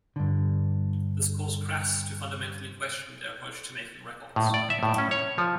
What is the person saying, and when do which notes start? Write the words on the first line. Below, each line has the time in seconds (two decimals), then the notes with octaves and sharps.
This caused Crass to fundamentally question their approach to making records.
0.16 G2 D3
4.36 A2
4.54 D5
4.70 E5
4.83 A2
4.98 C#4
5.11 C#5
5.38 F3